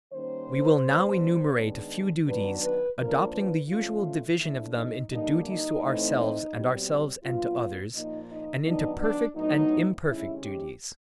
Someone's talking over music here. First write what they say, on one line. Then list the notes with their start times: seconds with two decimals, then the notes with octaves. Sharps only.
We will now enumerate a few duties, adopting the usual division of them into duties to ourselves and ourselves and to others, and into perfect and imperfect duties.
0.14 D#3 G3 A#3 C#4 C5
0.85 B2 G#3 B3 D4
1.56 D#3 G#3 B3 D4
2.27 D#3 F#3 B3 D4 B4
2.62 B4
2.98 F3 A#3 D4 A#4
3.33 B4
3.68 A#2 F3 A3 C#4 F4
4.40 F3 A3 D4 E4
4.75 D#4
5.10 D3 G3 A#3 D4 D#4
5.46 D#4
5.82 A2 E3 A3 C4
6.53 B2 G3 C4
7.23 A#2 F#3 B3 D4 F4
7.94 A#2 F3 A#3 D#4
8.30 D#4
8.65 D#3 F#3 B3 D4 D#4
9.00 D4
9.36 A2 F#3 B3 D#4
10.08 C3 D#3 G#3 C#4 E4
10.43 G4